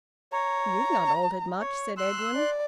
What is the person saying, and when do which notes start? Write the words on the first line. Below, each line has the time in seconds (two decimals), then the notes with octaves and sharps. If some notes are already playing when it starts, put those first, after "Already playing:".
"You've not altered much," said Edwin.
0.33 C#5 A#5
1.61 C#5
1.98 C6 E6 F#6
2.35 D5